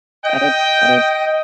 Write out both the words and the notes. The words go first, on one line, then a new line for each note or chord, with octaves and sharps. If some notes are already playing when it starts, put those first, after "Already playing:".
That is that is
D#5 G5